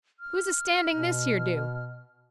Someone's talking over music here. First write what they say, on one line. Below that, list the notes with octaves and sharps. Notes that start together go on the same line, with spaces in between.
Who's astanding this here do?
F6
B2